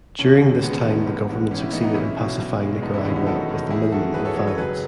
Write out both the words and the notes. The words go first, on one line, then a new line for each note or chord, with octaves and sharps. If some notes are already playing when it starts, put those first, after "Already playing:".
During this time the government succeeded in pacifying Nicaragua, with a minimum of violence.
E1 C#4
D#2
G#3 B3
D#3
A1
G#2
A1 C#4
C#4 E4
E3 B3 D#4
B3 D#4
B1 C#4 E4
B2
B1
G#3
E1 B3 D#4
C#4 E4
D#2 C#4 E4
D#4 F#4
F#3 F#4 A4
D#3
E2 E4 G#4
D#3 F#4 A4
E2 G#4 B4
A4 C#5
F#3 A4 C#5
A4 C#5
F#1 G#4 B4